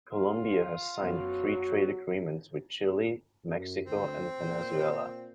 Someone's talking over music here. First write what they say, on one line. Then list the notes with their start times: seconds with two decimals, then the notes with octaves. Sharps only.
Colombia has signed free-trade agreements with Chile, Mexico, and Venezuela.
0.12 F4
1.03 F#2 F#3 B3
3.44 F#2
3.86 D2 C4
4.40 A#2